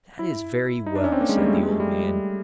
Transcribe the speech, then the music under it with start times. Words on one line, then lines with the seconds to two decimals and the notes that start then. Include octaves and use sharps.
"That is very well," said the old man.
0.19 E4
0.86 D#4
0.95 D4
1.04 C#4
1.12 C4
1.21 A#3
1.29 G#3
1.37 G3
1.46 A3
1.54 G3
1.63 G#3
1.71 A3
1.80 G3